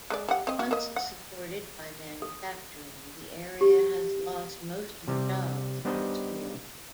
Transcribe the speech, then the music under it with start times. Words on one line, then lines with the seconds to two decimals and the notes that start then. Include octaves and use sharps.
Once supported by manufacturing, the area has lost most of jobs in this field.
0.10 G#3 A#4 D5
0.29 G3 F#5
0.47 C4 D#5
0.59 F#4
0.71 A#3 D#5
0.96 F#5
2.22 A4
3.61 G4
5.08 C3 G3
5.85 G3 B3 D4 D#4 C5 D#5